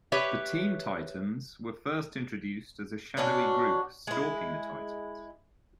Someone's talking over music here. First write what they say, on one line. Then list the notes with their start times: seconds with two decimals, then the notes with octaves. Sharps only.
The Team Titans were first introduced as a shadowy group stalking the Titans.
0.12 G4 B4 C#5 E5
3.17 B2 C#4 D4 F#4
4.07 G#3 E4